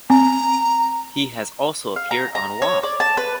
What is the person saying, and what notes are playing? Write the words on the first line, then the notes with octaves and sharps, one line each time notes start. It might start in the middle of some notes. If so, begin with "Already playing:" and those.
He has also appeared on Wah!
C4 A#5
F5
A#5
A#5
C#5
D5
A5
B4